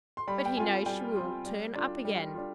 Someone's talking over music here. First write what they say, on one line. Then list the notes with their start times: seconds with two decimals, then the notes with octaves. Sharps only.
But he knows she will turn up again.
0.17 C6
0.27 G3 B5
0.46 G5
0.57 C4 F4 G#5
0.86 G3 G5
1.16 C4 F4
1.46 G3
1.76 D4 F4
2.05 G3
2.34 D4 F4